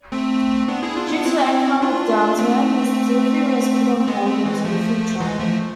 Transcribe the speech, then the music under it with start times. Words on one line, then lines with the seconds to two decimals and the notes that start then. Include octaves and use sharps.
Due to the economic downturn this delivery was put on hold until the future.
0.12 A3 C4
0.68 B3 D4
0.82 E4 G#4
0.96 D4 F4
1.07 E4
1.11 B3 D4
1.25 C4 E4
1.82 D4 F4
2.38 A3 C4
4.00 C4
4.08 G#3 B3
4.26 A3 C4
4.45 E3 G#3
4.64 F3 A3
5.20 E3 G#3
5.39 F3 A3